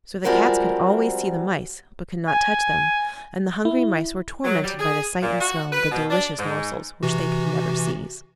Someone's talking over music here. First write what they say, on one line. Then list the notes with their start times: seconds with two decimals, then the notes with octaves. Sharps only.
So the cats could always see the mice, but could not touch them, and the hungry mice were tormented by the sight and smell of the delicious morsels which they could never seize.
0.24 F3 G3 G#3 C4 F#4 A#4
2.28 G#5
3.65 E4
4.45 F#3
4.63 G3
4.78 G#4
5.21 A#2
5.41 F#4
5.72 B4
5.92 B2
6.10 D4
6.38 G#2
7.03 C3 E3 F#4